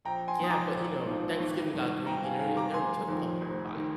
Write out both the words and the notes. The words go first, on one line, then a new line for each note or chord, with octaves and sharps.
Yeah, but, you know, Thanksgiving got greedy, and r and they already took pumpkin pies.
A#1 G5 A#5
G#5 C6
G#2 F3 D#6
A#5 D6
A#1
G#2 F3
G#1
G2 D#3
G#1 G5 A#5
F5 G#5
G2 D#3 F5 G#5
A#5 D6
F1 G#5 C6
F2 D#3
F1
D#3